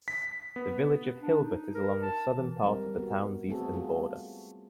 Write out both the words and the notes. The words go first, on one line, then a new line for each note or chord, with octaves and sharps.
The village of Hilbert is along the southern part of the town's eastern border.
B6
B3
D4
D#4
A#4
A5
E3
G3 C4 A#4
B3 F#4
A3 B3 C4 F#4 G#4 A4
G3 F4 F#4 G#4 A4